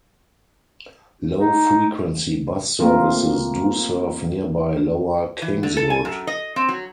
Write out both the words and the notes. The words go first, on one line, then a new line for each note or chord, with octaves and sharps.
Low-frequency bus services do serve nearby Lower Kingswood.
D#4
A3 A#3 C4 F4 A#4
E3
D3
A4
G#5
F#2
D#5
C4
F#3